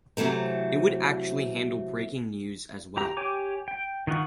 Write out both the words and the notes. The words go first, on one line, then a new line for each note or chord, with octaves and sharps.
It would actually handle breaking news as well.
C3 E3 F#3 A3 C4
G4 A#5
G4 C#5 G5 G#5 D6
G5
D#3 D#4 F4 F#5 C#6